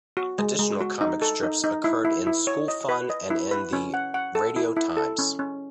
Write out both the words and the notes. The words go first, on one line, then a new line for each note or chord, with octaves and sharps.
Additional comic strips occurred in "School Fun" and in the "Radio Times".
F#4
G#3
G#3
F#4
D#4
A4
D#4
D#4
E4
E4
E4
C#5
D#5
B4
D#5
E4
B4
C#4
F#5
F#5
A4
E4
E4
A4
C#4
C#4